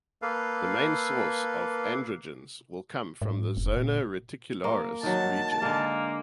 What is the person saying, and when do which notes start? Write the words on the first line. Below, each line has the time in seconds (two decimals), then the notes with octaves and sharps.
The main source of androgens will come from the zona reticularis region.
0.22 A#3 A4 B4 F5
3.22 G#2
3.57 F1
3.77 A#2
4.64 A#3
5.03 D#3 F#3 A5
5.62 D3 G#3 A#3